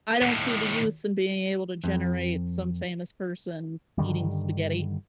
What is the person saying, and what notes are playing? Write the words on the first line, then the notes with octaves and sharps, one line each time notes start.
I don't see the use in being able to generate some famous person eating spaghetti
D#2 A2
F2
G2 D3 D#3 G3